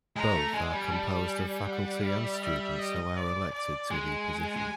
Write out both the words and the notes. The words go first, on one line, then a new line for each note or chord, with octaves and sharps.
Both are composed of faculty and students who are elected to the position.
G#3 A#5
A3
G#3 G#5
G3
G3 A5
G#5
F#5
E5
E5
D#5
D5
D5
G#3 G#5
G#3